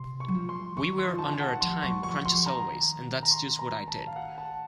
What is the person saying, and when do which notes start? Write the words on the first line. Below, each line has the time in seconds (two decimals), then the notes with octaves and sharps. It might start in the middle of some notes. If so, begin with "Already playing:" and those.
We were under a time crunch as always and that's just what I did.
Already playing: C3 C6
0.20 C#6
0.28 F#3
0.34 F3
0.49 C6
0.77 D#3 C#6
0.98 C6
1.08 F3
1.19 D#3 A5
1.33 A5
1.40 F#5
1.61 F3 C6
1.83 F#3 C#6
2.03 F3 C#6
2.15 C#6
2.25 F3 C6
2.46 D#3 A#5
3.23 A#5
3.31 C6
3.59 A#5
3.88 A5
4.07 F5
4.16 F#5
4.38 A5